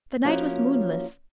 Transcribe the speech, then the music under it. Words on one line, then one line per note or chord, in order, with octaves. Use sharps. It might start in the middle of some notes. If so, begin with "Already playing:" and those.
The night was moonless.
F3 A#3 C#4 E4 F#4 C#5